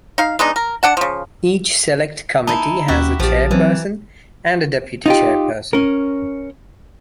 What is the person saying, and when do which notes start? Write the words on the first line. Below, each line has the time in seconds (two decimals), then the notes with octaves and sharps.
Each select committee has a chairperson and a deputy chairperson.
0.18 D#4 F5
0.39 G#3 B3 D4 D#4
0.56 A#4
0.83 D4 F#5 A5
0.97 C#3 F3
2.47 D#4 E4 A5
2.88 D#2 C#4 F#4 G4 E5
3.20 A#1 F3 G4 D5
3.51 E3 F#3 C4
5.06 D#4 F4 G4
5.73 C#4 A#4